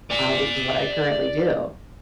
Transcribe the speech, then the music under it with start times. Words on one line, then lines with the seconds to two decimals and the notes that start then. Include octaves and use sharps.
uh, which is what I currently do.
0.11 D5 G#5